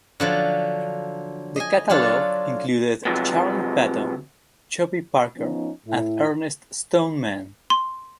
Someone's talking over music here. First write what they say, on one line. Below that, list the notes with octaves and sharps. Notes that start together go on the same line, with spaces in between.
The catalogue included Charley Patton, Chubby Parker, and Ernest Stoneman.
D3 F3 F#3
D#5 G#5
F#3 D4 F4 A4
C3 F3 F#3 G#3 B3
F3 B3 C#4 D#4
A2 E4
C6